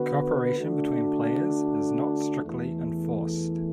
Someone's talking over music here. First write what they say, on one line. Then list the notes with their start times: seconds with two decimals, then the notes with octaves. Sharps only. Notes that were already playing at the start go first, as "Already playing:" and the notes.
Cooperation between players is not strictly enforced.
Already playing: D3 B3 F#4 B4
0.59 D3 A3 D4 F#4
2.44 E2 E3 A3